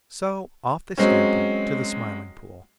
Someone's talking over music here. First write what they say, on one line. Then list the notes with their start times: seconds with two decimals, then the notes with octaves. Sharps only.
So off they scampered to the Smiling Pool.
0.98 F#3 G#3 C4 C#4